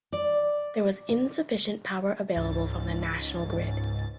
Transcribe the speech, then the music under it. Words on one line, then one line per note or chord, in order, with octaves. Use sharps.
There was insufficient power available from the national grid.
D5
C#2 G#2 A6